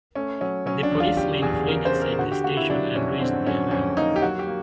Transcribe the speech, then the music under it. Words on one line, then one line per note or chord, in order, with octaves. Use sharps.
The policemen fled inside the station and raised the alarm.
A3 C#4
F#3 C#4
F#3 C#4
D4
E2
F4
E2 G4
E2 G#4
C#3 A#4
C5
C#3
A#4
D3 F#4
G4
A#3 F#4
E4
F#3 D4
F2 C#4
D3 C4
F#3 C#4
F2 C#4
A#3 D#4
G4
F#3 F#4
G4
A#3